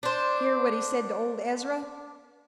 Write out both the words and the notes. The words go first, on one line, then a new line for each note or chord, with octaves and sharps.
Hear what he said to old Ezra?
D4 C5